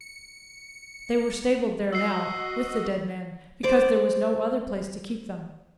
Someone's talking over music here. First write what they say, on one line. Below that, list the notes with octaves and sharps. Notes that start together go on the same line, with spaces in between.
They were stabled there now, with the dead man, because there was no other place to keep them.
C#7
F#4 D#5 E6 C7
C5 D5 D6